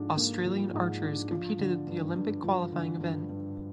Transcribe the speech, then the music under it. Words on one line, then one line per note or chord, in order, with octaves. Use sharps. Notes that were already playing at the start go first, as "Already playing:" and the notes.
Australian archers competed at the Olympic qualifying event.
Already playing: G#2 F3 D4
A#3
F3
G#2
D4
F3
D3
G2
G2
F3
D3
G2
G2